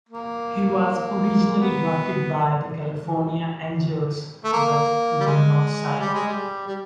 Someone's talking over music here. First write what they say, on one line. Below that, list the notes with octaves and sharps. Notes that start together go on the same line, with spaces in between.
He was originally drafted by the California Angels but did not sign.
A#3
B3
A3
A#3
G3
G#3
G3
G#3
G3
G3